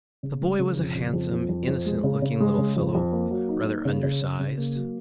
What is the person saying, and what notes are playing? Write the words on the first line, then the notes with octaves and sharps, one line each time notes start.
The boy was a handsome, innocent-looking little fellow, rather undersized.
C#3
G#3
C#3
F2
C#3
F2
F2
F2
F2
G#3
C#3
C#3
G#3
C#3
F2
F2
A#3
F#3
D#4
A#3
C#3
C#3
C#3
C#3
A#3
F#3